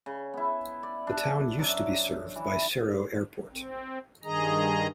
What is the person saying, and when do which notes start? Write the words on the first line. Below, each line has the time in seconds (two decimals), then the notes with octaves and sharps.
The town used to be served by Serowe Airport.
0.06 C#3
0.34 B3 E4
0.83 D5
1.07 D4 A5
1.59 F#2 E5 A#5
2.36 E3
3.52 C4
4.24 G2 D#3 G#4 D#5 A#5